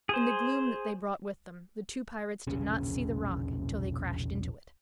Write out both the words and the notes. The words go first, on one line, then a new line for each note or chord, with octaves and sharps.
In the gloom that they brought with them the two pirates did not see the rock till they crashed into it.
G#4 C5
E1 A#1 C#3 C#4